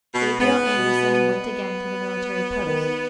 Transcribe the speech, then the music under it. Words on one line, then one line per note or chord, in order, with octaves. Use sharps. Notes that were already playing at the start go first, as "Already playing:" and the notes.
Gabriel Andersen went again to the military post.
B2
G#2 B3
B2
B3
D#3